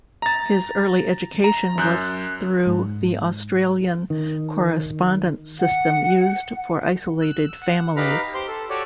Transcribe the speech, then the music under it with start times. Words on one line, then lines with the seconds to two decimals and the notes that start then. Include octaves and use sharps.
His early education was through the Australian correspondence system used for isolated families.
0.22 A#5 A6
1.44 A#5
1.78 F#2 F#6 G6
2.66 G#2
4.10 D#3
5.60 F#5
7.22 E6 F#6
7.62 F#5
7.96 D#4 G4 B4 F5 A#5 B5
8.34 G4 C5 C6
8.47 A4
8.70 F#4 G4 A4 C#5 D5